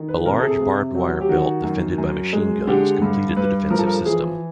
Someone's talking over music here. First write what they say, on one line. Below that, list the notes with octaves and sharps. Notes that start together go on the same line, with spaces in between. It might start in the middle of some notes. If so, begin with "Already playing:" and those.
A large barbed wire belt defended by machine guns completed the defensive system.
Already playing: D#3
B4
C3 A#4
A4
G#4
C3
F#3
G4
D#3 F#4
F#2
F#2
G#3
D3 G4
G2
G2 B4
F3 A#4
A4
A#4
E3 G#4